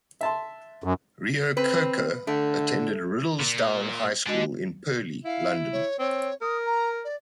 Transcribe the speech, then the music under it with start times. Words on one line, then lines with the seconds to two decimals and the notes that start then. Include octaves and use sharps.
Reo-Coker attended Riddlesdown High School in Purley, London.
0.21 E5 A5 C6
0.84 F#2
1.57 C4 B4
2.27 D3 A3
3.40 A#2
4.27 D3 G#3 D4 F#4 D#5
5.25 E4 F5
5.72 C#5
5.99 C4 C#5
6.42 A#4 D#6
6.66 A#5
7.04 D5